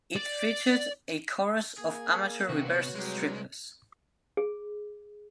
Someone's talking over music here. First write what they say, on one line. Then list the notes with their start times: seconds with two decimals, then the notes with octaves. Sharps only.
It featured a chorus of amateur reverse strippers.
0.16 D5
1.78 A#3 G#4
2.49 C3 D#3 C4 C#4 F#4
2.65 C3 B3 B4 C#5
2.95 C2 F#3 G#3 G4
4.37 G#4